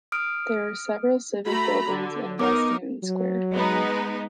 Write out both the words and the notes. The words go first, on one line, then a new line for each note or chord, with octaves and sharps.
There are several civic buildings in West Newton Square.
D#6 F6 D7
A3 F#4 A#5 B5
D3
B3 D#4 A#4 D6
F#3
G#3 B3 D#4